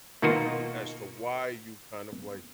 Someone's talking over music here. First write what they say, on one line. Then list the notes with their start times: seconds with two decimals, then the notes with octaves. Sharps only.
as to why you kind of like
0.22 B2 D#3 A#3 D#4 F4 F#4